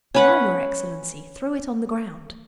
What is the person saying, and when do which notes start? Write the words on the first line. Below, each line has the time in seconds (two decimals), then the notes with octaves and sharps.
'Now, your excellency, throw it on the ground.'
0.14 C#4 B4 F#5